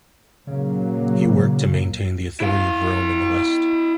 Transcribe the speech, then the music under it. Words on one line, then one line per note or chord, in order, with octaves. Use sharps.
He worked to maintain the authority of Rome in the West.
A#2 C#3 F#3 A#3
E4 F5